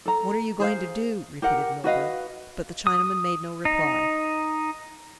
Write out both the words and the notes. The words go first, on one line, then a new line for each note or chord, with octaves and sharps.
"What are you going to do?" repeated Milburgh, but the Chinaman made no reply.
A4 A#5
G#4 C5 F5
G4 A#4 F#5
F#4 B4 D#5 F5
D#6
D#4